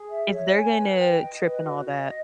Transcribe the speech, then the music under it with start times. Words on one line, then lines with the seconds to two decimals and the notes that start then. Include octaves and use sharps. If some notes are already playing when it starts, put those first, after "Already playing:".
if they're gonna trip and all that,
Already playing: G#4
0.09 E5
0.32 C#5
0.54 G#5
0.76 B4
0.98 G5
1.21 D#5
1.43 B4
1.66 F#4
1.88 D#5